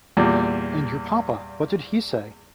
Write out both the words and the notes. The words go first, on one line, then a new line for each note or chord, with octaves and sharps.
And your papa; what did he say?
E2 A#2 G3